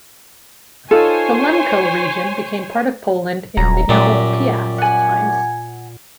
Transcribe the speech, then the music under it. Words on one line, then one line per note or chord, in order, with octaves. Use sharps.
The Lemko region became part of Poland in medieval Piast times.
D#4 F4 A4 C5 C#5 G#5
D#1 A#5
F#2 A#2 G3
F#5 G#5